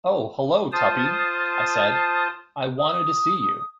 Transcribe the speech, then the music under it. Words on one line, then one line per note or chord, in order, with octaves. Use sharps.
"Oh, hullo, Tuppy," I said, "I wanted to see you."
F4 C5 A5 D#6
D#6